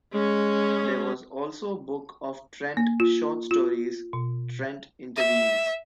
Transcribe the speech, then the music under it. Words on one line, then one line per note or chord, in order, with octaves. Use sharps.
There was also a book of Trent short stories, "Trent Intervenes".
G#3 C#4
A#3
F4
F4
B2
E5